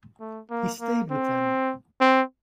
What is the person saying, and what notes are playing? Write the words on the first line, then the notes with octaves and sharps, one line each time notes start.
He stayed with them.
A3
A#3
A#3
C4
C4